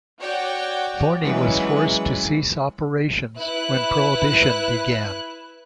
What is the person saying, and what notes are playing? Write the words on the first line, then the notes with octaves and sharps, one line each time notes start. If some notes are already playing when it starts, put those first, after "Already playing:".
Forni was forced to cease operations when Prohibition began.
F#4 C#5 D5 F#5 G5
E3 F#3 G#3 C#4 B4
E4 B4 F#6